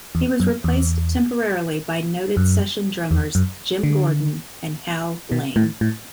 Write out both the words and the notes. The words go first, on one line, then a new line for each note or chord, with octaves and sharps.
He was replaced temporarily by noted session drummers Jim Gordon and Hal Blaine.
E2
F#2
E2
F#2
E2
F#2
D3
B2
A2
A2